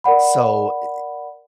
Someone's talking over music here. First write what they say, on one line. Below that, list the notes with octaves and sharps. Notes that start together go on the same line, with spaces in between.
So, eh eh
A#4 D5 F#5 B5